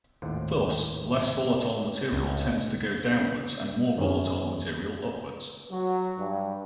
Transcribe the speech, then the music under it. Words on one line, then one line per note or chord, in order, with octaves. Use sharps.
Thus, less volatile material tends to go downwards, and more volatile material upwards.
G#1 D#2 A2 F4 C5 F#5
C#2
F#2 C#4
F#3
G2